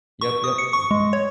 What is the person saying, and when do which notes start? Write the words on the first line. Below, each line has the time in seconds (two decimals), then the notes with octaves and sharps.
Yep, yep. Have a good one.
0.21 C#6
0.44 D#6
0.58 C#7
0.73 C#6
0.91 G#3
1.13 C#5